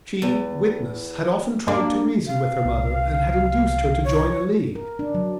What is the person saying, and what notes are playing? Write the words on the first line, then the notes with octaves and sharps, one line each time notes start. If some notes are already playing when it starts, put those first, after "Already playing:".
She, witness, had often tried to reason with her mother and had induced her to join a league.
E2
A#3 D4
F5
C2
C#5
A#4
D4
F#3